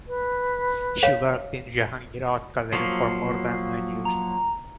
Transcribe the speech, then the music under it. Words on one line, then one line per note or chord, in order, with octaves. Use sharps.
She worked in Jahangir Art Gallery for more than nine years.
B4
C#5 F5
F3 F#3 A#3 C7
A#5